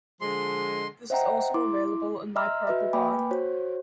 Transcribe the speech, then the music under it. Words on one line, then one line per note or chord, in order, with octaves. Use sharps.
This is also available in My Purple Bar.
D3 F3 G#3 C6
C5 D#5 E5 F#5 G5 A#5
E4 C6 D6
D#5 E5 A#5 C6 E6 F6
F#4 B4 D#5 E5
A#3 B4 G5 G#5 B5 D6
F#4 C5 C#5